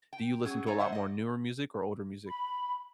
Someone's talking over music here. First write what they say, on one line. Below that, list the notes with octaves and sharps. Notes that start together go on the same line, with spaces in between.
Do you listen to a lot more newer music or older music?
G5
F#3 C#4 G#4
A3 D#4 C#5 A#5
G#3 C5 E5 F#5
D5 D#5
B5